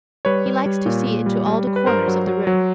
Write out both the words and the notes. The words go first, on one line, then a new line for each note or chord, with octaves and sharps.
"He likes to see into all the corners of the room."
G3 B4 C#5
G3
G3
A#2
A#2
G3
G3
G3
B4
G2 A#4 C5
F#3
F#3
F#3